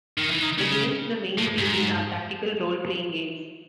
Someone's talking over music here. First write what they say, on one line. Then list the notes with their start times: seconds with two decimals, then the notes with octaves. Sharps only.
The games of the main series are tactical role-playing games.
0.18 D#3
0.30 E3
0.42 D#3
0.58 C#3
1.38 A2
1.58 G#2